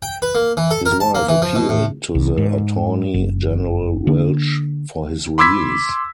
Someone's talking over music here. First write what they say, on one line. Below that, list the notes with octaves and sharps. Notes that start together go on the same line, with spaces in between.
His wife appealed to the Attorney General Welsch for his release.
G5
B4
A#3
E3
A4
A#4
A5
A#3
E3
F3
B2
A2
C2
G#2
F#1
D3 A#3 D4
B5 C6 D6 E6 G#6 B6